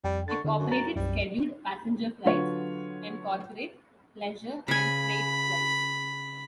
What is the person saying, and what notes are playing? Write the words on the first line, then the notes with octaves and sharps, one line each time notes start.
It operated scheduled passenger flights and corporate, pleasure and freight flights.
F2 G3 G5
D3 C#6 A6
E2 D3
F#2
A#5 A6
B1 F#2 G3
D3 F#3 F4 B4 C#5
C#3 G#5 B5